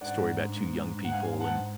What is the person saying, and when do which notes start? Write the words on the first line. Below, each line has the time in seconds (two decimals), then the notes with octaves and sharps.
story about two young people, and
0.01 G#2 D5 F#5
0.20 G#2
0.38 G#2
0.56 G#2
0.75 G#2
0.94 G#2
1.05 F#5
1.12 G#2 F5 G#5
1.31 G#2
1.40 F#5 A5
1.49 G#2